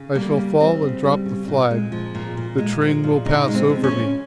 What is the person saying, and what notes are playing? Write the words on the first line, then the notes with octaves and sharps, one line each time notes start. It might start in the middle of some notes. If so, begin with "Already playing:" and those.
I shall fall and drop the flag; the train will pass over me.
Already playing: C#3
G3 A#3
C#3
G3 C4
C#3
G3
C#3
A#2
G#3
F3
A#2
A#2
G#3
F3
A#2
C#3 D#4
G#3
C4
F3
C#4
C#3